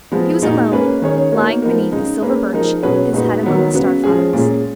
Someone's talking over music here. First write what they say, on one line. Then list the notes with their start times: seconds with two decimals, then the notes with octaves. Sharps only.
He was alone, lying beneath a silver birch, his head among the star flowers.
0.12 F3 G#3 B3
0.42 A#2 G#3 D#4 F#4
0.72 A#3 C#4 G#4 B4
1.02 D#3 G#3 C#4 G#4 C#5
1.32 A#3 D#4 F#4 A#4 C#5
1.62 F3 B3 D#4 A#4
1.92 C#3 G#3 D#4
2.22 A#3 C#4 G#4 B4
2.53 F3 G#3 D#4 A#4
2.83 B2 F#3 C#4 G#4 B4
3.13 A#2 G#3 D#4 F#4 B4
3.43 D#3 F#3 B3
3.74 C#3 F#3 B3 F#4 B4
4.04 F3 G#3 C#4 G#4
4.33 A#2 G#3 C#4 G#4